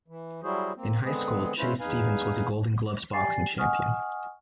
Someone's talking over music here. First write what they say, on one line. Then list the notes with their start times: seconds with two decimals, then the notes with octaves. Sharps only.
In high school, Chase Stevens was a Golden Gloves boxing champion.
0.08 E3
0.43 F#3 G3 E4 F#4 G#4 C5
0.76 A#3 C4
1.04 D3 G#3 B3 C4 G#4 B4
1.58 G#3 C#4 E4 F4 B4 C5
1.80 E2 D#4 B4 F5 G#5
3.13 G4 D5 G5 G#5 A6 C7
3.58 D#5 F#5 G#5 C#6 D#6 F6